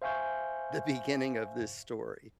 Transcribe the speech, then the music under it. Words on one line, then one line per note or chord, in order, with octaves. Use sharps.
the beginning of this story.
C5 E5 F5 G#5 C#6 G6